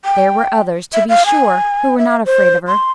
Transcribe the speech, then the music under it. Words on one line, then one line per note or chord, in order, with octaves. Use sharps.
There were others, to be sure, who were not afraid of her.
G5
E5
F5
G#5
E5
C5
C6